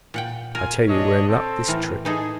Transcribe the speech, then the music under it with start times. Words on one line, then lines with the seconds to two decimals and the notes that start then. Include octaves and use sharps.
I tell you, we're in luck this trip.
0.14 A#2 F#5 G5
0.55 F4 A#4 G#5
0.88 D4 C#5 D#5
1.28 C4 A4
1.68 A2 E3 A#4
2.05 E3 D#4 G#4 A4